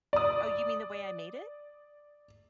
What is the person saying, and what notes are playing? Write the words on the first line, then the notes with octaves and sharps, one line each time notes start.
Oh, you mean the way I made it?
D5 D#6